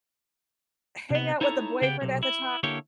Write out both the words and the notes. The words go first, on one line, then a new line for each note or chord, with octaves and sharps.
hang out with the boyfriend at the ti
C3 B3
D#4 E4 A4 C#5 G#5 A#5
C#3 B3 G4 G5
B1 C3
E4
D3 A#3 E4 G4 C#5